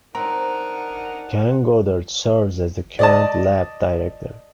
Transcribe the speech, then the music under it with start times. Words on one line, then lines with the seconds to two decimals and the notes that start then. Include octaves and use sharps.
Ken Goddard serves as the current Lab Director.
0.15 C4 D4 D#4 A#4 F#5 A#5
2.99 D5 D#5 A5